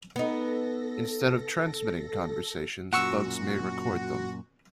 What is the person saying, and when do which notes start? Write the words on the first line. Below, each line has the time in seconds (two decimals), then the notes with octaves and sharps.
Instead of transmitting conversations, bugs may record them.
0.16 B3 D#4 A4 A#6
2.93 F#2 A#2 F#4 F#5 C#6 E6